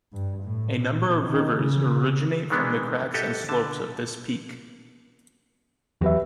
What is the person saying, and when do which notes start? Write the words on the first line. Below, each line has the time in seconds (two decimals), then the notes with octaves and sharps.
A number of rivers originate from the cracks and slopes of this peak.
0.13 G2
0.44 A2
0.79 A#2
1.26 D#3
1.57 C#3
2.50 D#3 E3 G#3 B3 D4
3.14 F#4 G4 A4 D#5 E5
3.49 D3 A5
6.01 E2 F#3 G4 B4 E5